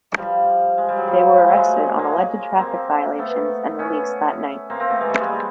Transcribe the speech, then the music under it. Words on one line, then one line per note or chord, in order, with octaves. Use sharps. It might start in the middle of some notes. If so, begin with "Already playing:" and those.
They were arrested on alleged traffic violations and released that night.
F3 G3
G#3
G3
F#3
F3 G3
G#3
A3
F#3 G#3
G#3 A#3
A#3 C4
A3 B3
B3 C#4
A#3 C4
A#3 C4
A3 B3
G#3 A#3
G3 A3
G#3
G3